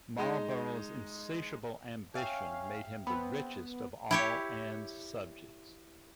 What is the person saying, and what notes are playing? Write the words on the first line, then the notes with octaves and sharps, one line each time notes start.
Marlborough's insatiable ambition made him the richest of all Anne's subjects.
G#3 D#4
C#4 E5 F5 G5
B3 C4 B5
E4 G4 C#5